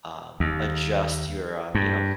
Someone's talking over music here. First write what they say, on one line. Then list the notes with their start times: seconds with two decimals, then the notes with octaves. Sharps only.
um, adjust your, um, you know,
0.40 D#2
1.75 G2